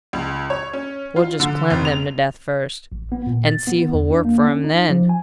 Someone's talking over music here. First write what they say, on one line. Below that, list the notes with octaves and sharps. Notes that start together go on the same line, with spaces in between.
We'll just clem them to death first; and see who'll work for 'em then.
C#2
C#5
C#4
F4
D3
F1
F7
A1
B3
A#2
A6
B3
E2
D4
A#3
C#4
D#4
F3
G#5